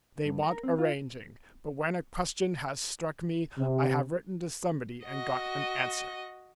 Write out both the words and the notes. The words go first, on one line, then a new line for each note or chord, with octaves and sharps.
They want arranging, but when a question has struck me, I have written to somebody and got an answer.
G2
A#4
C4
F4
C3
F#4 D#5